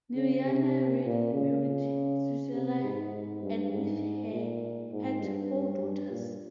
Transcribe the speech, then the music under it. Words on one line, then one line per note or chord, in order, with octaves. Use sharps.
Naryana Reddy married Suseela and with her had four daughters.
C#3
C3
A#2
C#3
C3
G#2
G#2
G2
G#2
A#2
G#2
G2
G2
A#2